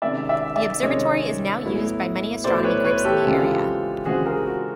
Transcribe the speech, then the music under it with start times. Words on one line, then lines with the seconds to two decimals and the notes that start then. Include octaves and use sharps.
The observatory is now used by many astronomy groups in the area.
0.02 C3 D#3 G#3 C#4 D5 E5
0.29 D5 E5
0.56 D5 E5
0.83 C3 D#3 G#3 C#4 C#5 D#5
1.64 A2 F#3 B3 E4
2.44 A2 F#3 B3 E4 C5 D5
2.64 B4 C#5
2.84 B4 C#5
3.04 G4 A4
3.25 C#3 E3 G#3 C4 F4
4.05 C#3 E3 G#3 C4 F4 F#4 G#4
4.26 G#4 A#4
4.46 F#4